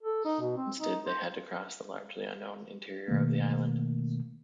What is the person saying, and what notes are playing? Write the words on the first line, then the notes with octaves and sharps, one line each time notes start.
Instead they had to cross the largely unknown interior of the island.
A4
D#4
B2
C4
D#4
C5
B2 D#3 A3 A#3